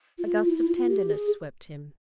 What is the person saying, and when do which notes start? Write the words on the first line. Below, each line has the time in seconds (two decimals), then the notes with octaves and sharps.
A gust of tenderness swept him.
0.19 F4
0.48 E4
0.59 E4
0.69 F4
0.88 G4
1.09 G#4